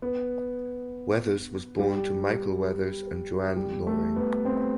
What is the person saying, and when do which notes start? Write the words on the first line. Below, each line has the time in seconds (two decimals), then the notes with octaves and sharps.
Weathers was born to Michael Weathers and Joann Loring.
0.02 B3
1.79 G3
3.56 G3
3.87 A3
4.16 B3
4.45 C4